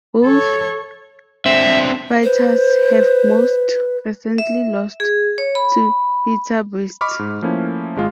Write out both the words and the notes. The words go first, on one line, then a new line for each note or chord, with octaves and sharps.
Both fighters have most recently lost to Pieter Buist.
A4 C#5
D3 C4 E5
B4 C5
E5
G#4
C#5
B5
D#5 B5 C#6 D6 F6
G#2
F3 A3 A#3 C#4 E4
G#1 G#3 F4 F5